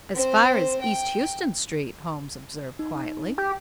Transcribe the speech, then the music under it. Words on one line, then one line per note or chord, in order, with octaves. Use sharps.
"As far as East Houston Street," Holmes observed, quietly.
C4 C5
G5
D#4
G4